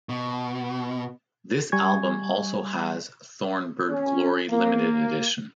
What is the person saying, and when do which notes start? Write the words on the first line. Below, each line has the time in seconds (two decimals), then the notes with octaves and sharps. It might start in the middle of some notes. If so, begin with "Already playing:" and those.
This album also has Thorn Bird Glory Limited Edition.
0.09 B2
1.72 G3 G#5 C#6 G#6
3.90 C#4
4.50 A#3